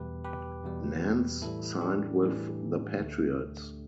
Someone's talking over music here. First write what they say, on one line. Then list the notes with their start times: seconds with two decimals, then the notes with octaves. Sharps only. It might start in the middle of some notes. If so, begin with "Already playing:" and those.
Nance signed with the Patriots.
Already playing: E2 B2 G3 G4 B4
0.25 G4 B4
0.64 E2 B2 G3
1.42 A2 E3 G3 E4 A4
1.81 D4 G4
2.21 A2 E3 G3
2.99 D2 D3 A3